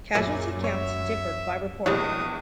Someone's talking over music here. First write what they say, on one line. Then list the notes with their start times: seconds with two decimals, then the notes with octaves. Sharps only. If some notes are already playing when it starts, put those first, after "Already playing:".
Casualty counts differed by report.
0.15 F#2 A#2 F#3 E4 G#4
0.64 C#5 E5
1.86 A#1 E2 B2 G3 G#3 C#5 D#6